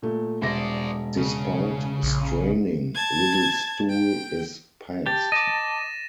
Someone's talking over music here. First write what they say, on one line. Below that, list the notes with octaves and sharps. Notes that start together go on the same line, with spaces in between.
Despite straining, little stool is passed.
A#2 A3
E1 C5 D5 E5 A#6
C#3
A#1
A5 G#6
G5
G4 A5 A6
D#5 D6 A#6 E7
D#7